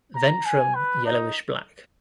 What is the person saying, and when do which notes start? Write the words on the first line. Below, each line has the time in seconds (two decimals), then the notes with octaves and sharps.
Ventrum yellowish black.
0.15 A#5
0.45 G#5
0.75 B4
1.05 D#4